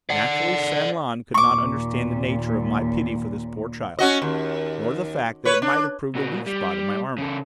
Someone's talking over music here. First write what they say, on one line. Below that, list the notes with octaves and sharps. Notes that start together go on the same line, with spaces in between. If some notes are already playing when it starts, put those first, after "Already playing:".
Naturally San-Lan could not understand the nature of my pity for this poor child, nor the fact that it might have proved a weak spot in my armor.
D5 F#5
D#2 A#2 C#6 D6
C#4 F#4 D#5
D#2
B4 C#5
D4
A#2 F#4
G3
C#3 A4